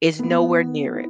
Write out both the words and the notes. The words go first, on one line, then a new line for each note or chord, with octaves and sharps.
is nowhere near it.
B3
E4